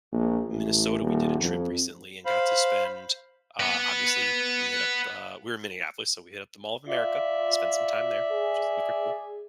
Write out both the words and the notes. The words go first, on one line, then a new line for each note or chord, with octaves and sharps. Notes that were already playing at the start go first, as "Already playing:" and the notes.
Minnesota we did a trip recently and got to spend uh, obviously, we hit up uh, we're in Minneapolis, so, we hit up the Mall Of America, spent some time there, which is super cool.
A#1
A1
D#1
F2
C5 F5 B5
B4 F#5
F4 D5 E5
G#4